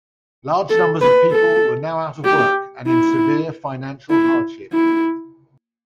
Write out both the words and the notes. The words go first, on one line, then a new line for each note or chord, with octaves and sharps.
Large numbers of people were now out of work and in severe financial hardship.
A4
B4
A4
G4
E4
E4
E4